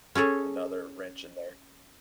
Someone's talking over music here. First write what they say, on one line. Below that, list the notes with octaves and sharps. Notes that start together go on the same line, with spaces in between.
another wrench in there.
C#4 G#4 A4 C#5